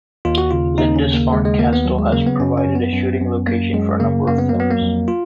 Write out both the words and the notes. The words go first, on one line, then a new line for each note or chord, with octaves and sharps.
Lindisfarne Castle has provided a shooting location for a number of films.
D#2 F4
F#4
C#3 F4
D#2 D#4
C#4
C#3
A#3
D#2 G#3
G#3
D#2 A#3
B3
F#3
G#3
C#3 A#3
B3
F#2 C#4
C#4
F#2
B3
F#2
F#2
F#2 A#3
F#2 G#3
C#3 A#3
F#2 A#3
B3
A#3
F#3
B3
A#3
F2
F4